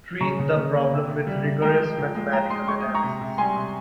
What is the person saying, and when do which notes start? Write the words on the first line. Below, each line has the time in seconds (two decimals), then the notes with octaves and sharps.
Treat the problem with rigorous mathematical analysis.
0.21 C#3 A#5 C#6
0.39 C#3
0.57 C#3
0.75 A#3
0.91 C3
1.09 C3
1.27 G3
1.44 C3
1.62 G#3 G5 A#5
1.80 F3
1.97 F3
2.15 G#3
2.32 G#3 G5 A#5
2.50 G#3 C6 D#6
2.68 G#3 C#6
2.81 D#6
2.86 G#3
2.94 A#5 C#6
3.03 C3
3.21 C3
3.38 G3 G#5 C6
3.56 C3